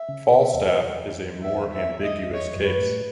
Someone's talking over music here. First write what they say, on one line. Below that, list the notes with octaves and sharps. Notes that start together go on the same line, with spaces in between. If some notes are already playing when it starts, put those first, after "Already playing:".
Falstaff is a more ambiguous case.
Already playing: E5
C#3
B2
E2
E5
E5
D#5
E2 C#5
F#2
B4
A2